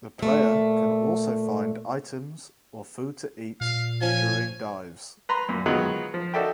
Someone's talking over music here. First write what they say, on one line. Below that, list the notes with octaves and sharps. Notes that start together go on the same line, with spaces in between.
The player can also find items or food to eat during dives.
A#2 A3
A#2 F5
F3 C#4 G#5
B4 A#5 C6
F#2 A#2
D#3 F#3 G#3 B3 D#4 F4
F3
D#4 F#4 A4 D5 E5 G5